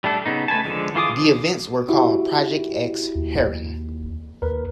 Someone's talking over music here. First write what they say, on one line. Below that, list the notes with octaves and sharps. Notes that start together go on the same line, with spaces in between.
The events were called Project X Haren.
G3 A3 D4 A4
C#3 B3 D#4
A3 B4 G#5 A5
D3 F3 G3 G#3
E3 F4 G#4 D6 D#6
F3
E4 F#4 G4
D#2
D#2 A#4 B4